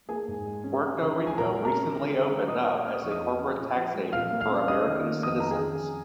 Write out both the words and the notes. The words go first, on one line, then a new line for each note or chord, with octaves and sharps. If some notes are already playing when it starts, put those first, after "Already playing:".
Puerto Rico recently opened up as a corporate tax haven for American citizens.
A#3 G#4 G#5
G#2
G#3
C#4
G#3
C#3
F3
G#5
A#2 A#4 A#5
G#3
A#4 A#5
C#4
C#4
D#3
G#3
A#2 D#5 D#6
A#3 C#5 C#6
C#4 F6
D#6
F2 C#6
D#5 D#6
F3
C#4
A#2
F3
G#3
A#2 F5 F6
A#3
F5 F6
C#4
C#4 D#5 D#6
D#3
A#3
F2 D#5 D#6
D#3 A#5
G#4 G#5
C#4
F2